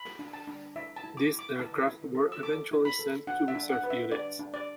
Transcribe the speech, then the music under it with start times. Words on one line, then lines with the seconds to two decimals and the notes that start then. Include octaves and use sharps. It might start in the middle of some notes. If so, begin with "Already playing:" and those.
These aircraft were eventually sent to reserve units.
Already playing: B5
0.19 D4
0.33 A5
0.47 D4
0.76 E4 E5
0.96 A5
1.04 E4
1.17 D6
1.32 E4
1.39 D6
1.59 E4 A5
1.87 E4
2.15 A4
2.32 E6
2.43 A4 D6
2.71 E4
2.85 B5
2.99 A4
3.27 D4 F#5
3.48 E5
3.55 D4
3.69 F#5
3.84 B4
3.90 E5
4.12 D4 D5
4.39 D4
4.54 D5